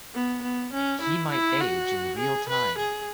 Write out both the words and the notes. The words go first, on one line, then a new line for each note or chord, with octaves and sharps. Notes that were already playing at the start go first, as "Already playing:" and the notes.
He might age in real time.
B3
B3
C#4
E4
E4
F#4
G#4
B4
G#4